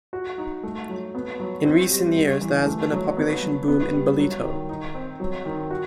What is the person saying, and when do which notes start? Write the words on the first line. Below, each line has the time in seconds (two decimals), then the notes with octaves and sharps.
In recent years, there has been a population boom in Ballito.
0.13 F#4
0.38 D#4
0.63 A3
0.89 F#3
1.15 B3
1.40 F#3
1.65 C4
1.90 G3
2.16 G3
2.41 E3
2.66 A3
2.92 F#3
3.17 B3
3.43 F#3
3.68 B3
3.93 G3
4.19 F#3
4.44 D#3
4.69 D#4
4.95 C4
5.20 F#3
5.46 D#3
5.71 F#4